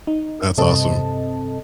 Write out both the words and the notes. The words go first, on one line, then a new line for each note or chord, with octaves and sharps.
That's awesome.
D#4
G2 C3 C4 A4 D#5 A5